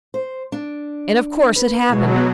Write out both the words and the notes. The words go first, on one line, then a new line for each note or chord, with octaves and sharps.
And of course it happened!
C5
D4
B4
E2 B2 F#3 G#3